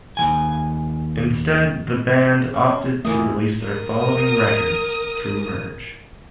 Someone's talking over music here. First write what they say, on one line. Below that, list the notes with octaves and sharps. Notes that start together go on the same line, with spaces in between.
Instead, the band opted to release their following records through Merge.
D#2 F#3 G#5
C#4
E2 A#2 E3 A3 A#3 D#5
A#4 D#6